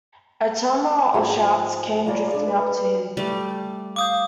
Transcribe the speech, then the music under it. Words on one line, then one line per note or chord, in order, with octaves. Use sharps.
A tumult of shouts came drifting up to him.
G#2 F3 F#4 G#4 C5 G5
A2 F#3 G#3 A#3 F4 D5
D4 G#4
B4
G3 A3
F5 D6 D#6 G6